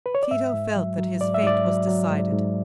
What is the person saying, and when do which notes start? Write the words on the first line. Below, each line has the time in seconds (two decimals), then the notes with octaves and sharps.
Tito felt that his fate was decided.
0.06 B4
0.15 C#5
0.23 D5
0.31 G#2 E5
0.54 G#2
0.76 F#3
0.98 F#3
1.21 G#2 D5
1.34 E5
1.43 G#2 D5
1.65 F#3
1.87 F#3
2.11 G#2
2.33 G#2